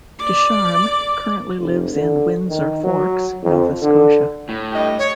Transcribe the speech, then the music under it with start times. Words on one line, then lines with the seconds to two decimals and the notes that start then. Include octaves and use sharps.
Ducharme currently lives in Windsor Forks, Nova Scotia.
0.20 D5 D6
1.59 F1
1.93 D3
2.49 D#3
2.83 F#3
3.43 F2
3.82 D3
4.49 A2
4.73 G2 G4 D#5
4.98 C#5